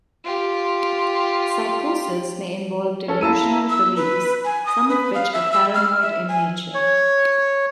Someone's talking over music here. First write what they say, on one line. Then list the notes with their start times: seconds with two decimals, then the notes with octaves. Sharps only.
Psychosis may involve delusional beliefs, some of which are paranoid in nature.
0.24 F4 G4
3.08 C#4 A4
3.21 E4 F5 A5 A#5 E6 D#7
3.69 E6
3.96 B4
4.45 G#5
4.66 D#6
4.89 B4
5.15 F5
5.33 E5
5.52 E6
5.74 F6
6.02 E5
6.29 G#5
6.74 C#5